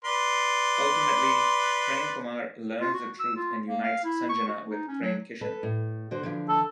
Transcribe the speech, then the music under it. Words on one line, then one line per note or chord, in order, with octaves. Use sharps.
Ultimately, Prem Kumar learns the truth and unites Sanjana with Prem Kishen.
B4 D5 C6
F4
F#4
E6
F4
A#3
F5
E4
C#6
F#4
D#4
C#4
F#3
A4 B4
A2
D3 F#4 C5
D3 E3 F3
A4